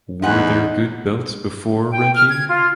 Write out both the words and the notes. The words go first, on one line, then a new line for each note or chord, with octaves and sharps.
Were there good belts before Reggie?
E2 G#2 D#4 F#5 G#5
G5
F6
G#6
F4